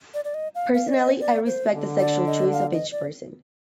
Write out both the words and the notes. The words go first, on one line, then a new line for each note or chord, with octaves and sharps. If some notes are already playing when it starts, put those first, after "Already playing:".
Personally, I respect the sexual choice of each person.
D5
D5
D#5
F5
F5
D5
D#5
D5
C5
D3
D5
D#5
F5
D#5
D5